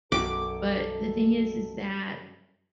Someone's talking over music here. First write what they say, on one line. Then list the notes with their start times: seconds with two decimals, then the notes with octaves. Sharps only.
but the thing is is that
0.12 B1 F#2 F#4 A4 G5 D6